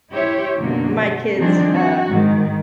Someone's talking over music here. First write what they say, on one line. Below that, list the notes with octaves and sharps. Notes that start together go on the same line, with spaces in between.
my kids, uh
E4 G4 C5 C#5 E5
F#2 B2 D3 F#3 A#3
A3
D#3 F3 G3 C4 D4 G#4
F#4
G#2 D#3